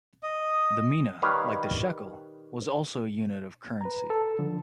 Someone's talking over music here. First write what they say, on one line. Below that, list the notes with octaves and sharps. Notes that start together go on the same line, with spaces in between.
The mina, like the shekel, was also a unit of currency.
D#5
D#3 G3 B4 C#5 F5
B4 A#5
A4
D3 F3